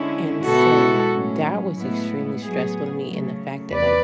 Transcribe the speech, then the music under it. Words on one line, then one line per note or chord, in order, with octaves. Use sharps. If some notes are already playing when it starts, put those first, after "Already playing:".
and so, that was extremely stressful to me, and the fact that, like
Already playing: D3 G#3 C#4 E4
B2 G#3 B3 E4 F#4 A4
A2 F#3 C#4
A2 G#3 B3 E4
A2 F#3 B3 G#4
C#3 F#3 A3
E2 B4 D5